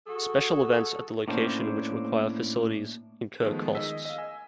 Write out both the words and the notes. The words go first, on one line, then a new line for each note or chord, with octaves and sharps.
Special events at the location which require facilities incur costs.
F#3 F#4 G#4 A4
A2 A#3 C#4 D4 C5
D#3 F3 G#3 A3 B3
D#3 G#4 D#5 E6 B6
D#5 F5
G#5 E6